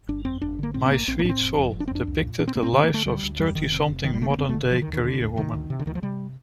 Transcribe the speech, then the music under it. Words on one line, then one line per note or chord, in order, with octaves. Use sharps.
"My Sweet Seoul" depicted the lives of thirty-something modern-day career women.
G1 D4
F2 C4
G1 D4
D3 A#3
A2 C4
C4
A#1 A#3
A#1 C4
A#3
A2 D4
C4
F1
F2
F1
D4
C4
F2 D4
C2
A#2
A#2 D4
C4
A#2 A#3
C4
D3 C4
A#3
D3
A3
D2 G3
D2
F2 G3
F1 D#3
C3
F1
F1 D#3
G3
D3 A3
A#3
F1 C4
A3
D3
D3 F3
D#3
D#2
D#3
D3
D#2
C3 D#3
D2
C3
D3
D2 D#3
F3
C3 G3